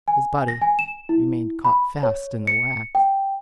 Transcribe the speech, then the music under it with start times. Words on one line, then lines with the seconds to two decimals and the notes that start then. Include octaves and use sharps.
His body remained caught fast in the wax.
0.08 G#5
0.48 A#6
0.61 G#5
0.79 E7
1.09 E4
1.65 B5
2.03 C#5
2.47 C#7
2.95 G5